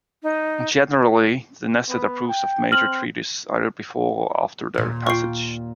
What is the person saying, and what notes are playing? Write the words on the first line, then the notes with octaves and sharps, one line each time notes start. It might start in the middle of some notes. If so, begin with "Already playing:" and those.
Generally, the Knesset approves of major treaties either before or after their passage.
D#4
B3
G5
C4 F6 F#7
D#2 A#2
F4 G5 C#6 C7